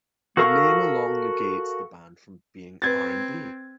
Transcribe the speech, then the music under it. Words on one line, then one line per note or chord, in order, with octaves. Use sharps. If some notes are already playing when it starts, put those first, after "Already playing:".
The name alone negates the band from being R and B.
F#4 A4 A#4 F5 C#6
C4 B4 G#6 A6